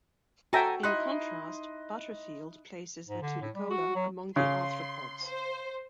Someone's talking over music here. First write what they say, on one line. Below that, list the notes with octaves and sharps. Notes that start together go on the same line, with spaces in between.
In contrast, Butterfield places "Vetulicola" among the arthropods.
F#4 A4 E5 G5 G#5 A#5
D#4 E4 D#5 C6 F#6
G#2
D3
A2
G3
F#4
F#3
C#3 C6
C5